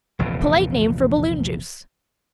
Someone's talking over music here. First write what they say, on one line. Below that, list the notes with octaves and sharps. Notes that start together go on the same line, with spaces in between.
A polite name for balloon juice.
F1 A#1 E2 C#3